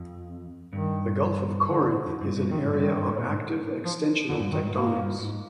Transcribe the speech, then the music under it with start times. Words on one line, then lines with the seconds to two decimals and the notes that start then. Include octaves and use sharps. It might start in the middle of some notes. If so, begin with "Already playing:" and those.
The Gulf of Corinth is an area of active extensional tectonics.
Already playing: F2
0.72 G2 D#3
1.62 D3
2.07 F2
2.21 G2
2.36 G2
2.51 F2 D#3
2.62 G#2
2.73 G2 D#3
2.95 G2
3.07 G#2
3.18 A#2
3.29 G#2
3.85 F3
4.29 F2 D3
4.40 G2
4.51 G2 D#3
4.63 G#2
4.74 G#2 A#3
4.96 G2
5.19 G#2